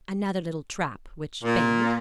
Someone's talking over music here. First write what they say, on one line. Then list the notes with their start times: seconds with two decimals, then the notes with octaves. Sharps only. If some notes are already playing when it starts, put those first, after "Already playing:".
Another little trap which failed.
1.43 A#2